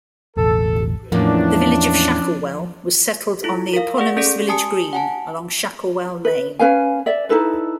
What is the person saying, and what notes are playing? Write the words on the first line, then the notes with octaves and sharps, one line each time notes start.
The village of Shacklewell was settled on the eponymous village green, along Shacklewell Lane.
E1 A1 A4
E2 A2 F3 A#3 C#4 D4
E4 F4 A4
A#4 F5
G#4 D5 F#5 C#6
C#4 G#4 A4 D5
G4 G#5 A5 D#6 C#7
F#5 G#5 A5
B4
C#4 B4 F5 G#5
D5 E5
D#4 E4 A4 B4